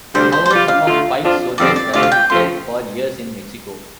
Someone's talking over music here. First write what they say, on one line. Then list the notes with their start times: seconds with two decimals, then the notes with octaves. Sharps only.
However, some of Pike's soldiers were held for years in Mexico.
0.14 D2 C3 G3 D4 C5
0.32 C5
0.46 C5
0.50 C3 G3 F4 D5
0.68 F5
0.86 D3 A3 F4
1.22 F2 F3 D4 F4
1.58 F2 D3 G3 C4 D5
1.76 D5
1.93 D2 C3 A3 F4 D5
2.03 F5
2.12 G5
2.30 F2 F3 A3 C4 F4 C6